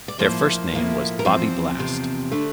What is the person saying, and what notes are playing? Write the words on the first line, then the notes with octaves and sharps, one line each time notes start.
Their first name was "Bobby Blast".
D5
A2 F3 A#3 E4 C5
A2 F3 A#3 E4
A#4
E2 C3 F3 C4 C5
E2 C3 F3 C4
D3 A3 D4